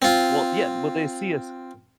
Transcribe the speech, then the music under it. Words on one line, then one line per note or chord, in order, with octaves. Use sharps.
Well, yeah, well, they see us
C4 F4